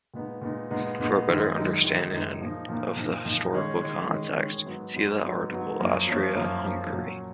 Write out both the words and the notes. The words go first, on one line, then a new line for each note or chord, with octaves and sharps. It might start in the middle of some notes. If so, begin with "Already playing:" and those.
For a better understanding of the historical context, see the article Austria-Hungary.
A#2 G#3 B3 D#4
A#2 G#3 B3 D#4
A#2 G#3 B3 D#4
A#2 G#3 B3 D#4
F#2 D#3 G#3 D#4
F#2 D#3 G#3 D#4
F#2 D#3 G#3 D#4
F#2 D#3 G#3 D#4
A#2 F3 A#3 D#4
A#2 F3 A#3 D#4
A#2 F3 A#3 D#4
A#2 F3 A#3 D#4
D#3 G#3 C#4
D#3 G#3 C#4
D#3 G#3 C#4
D#3 G#3 C#4
G#2 F#3 B3
G#2 F#3 B3
G#2 F#3 B3
G#2 F#3 B3
F#2 F3 A#3 C#4
F#2 F3 A#3 C#4
F#2 F3 A#3 C#4
F#2 F3 A#3 C#4
A#2 F#3 A#3 C#4